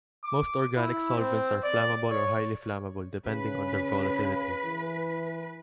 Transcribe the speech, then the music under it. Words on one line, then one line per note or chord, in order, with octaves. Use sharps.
Most organic solvents are flammable or highly flammable, depending on their volatility.
D6
E4
C4
D5
C#5
C#3 B4
E3